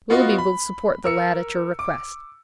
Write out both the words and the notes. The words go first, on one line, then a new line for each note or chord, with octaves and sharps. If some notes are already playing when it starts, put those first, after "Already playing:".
Willoughby will support the lad at your request.
B3 F4 F#4 D#5
B5
A#4 E6 C#7
D6